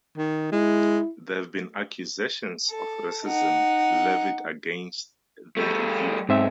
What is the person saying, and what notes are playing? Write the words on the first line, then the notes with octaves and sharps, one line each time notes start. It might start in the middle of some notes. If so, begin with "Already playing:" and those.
There have been accusations of racism levied against the "Review".
D#3
G#3 E4
A4
D#4 F#5
G3 A3
B1 G#2 C4 E5